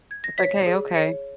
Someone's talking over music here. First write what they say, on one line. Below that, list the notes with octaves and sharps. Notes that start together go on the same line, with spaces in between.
It's like, "Hey, okay."
G#6
A#6
C#5 B6
G#4
C#5 C#7